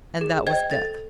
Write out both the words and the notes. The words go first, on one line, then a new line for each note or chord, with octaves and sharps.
And that was death!
G#4
C5 D#5 G5 G#6
A4 A6